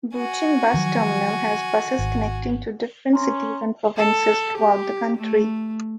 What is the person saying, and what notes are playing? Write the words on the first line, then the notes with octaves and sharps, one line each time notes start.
Bucheon Bus Terminal has buses connecting to different cities and provinces throughout the country.
F#4 G#5
D#3 F3 F#3
G#1
C#4 A#5 C6
A4
G4
A3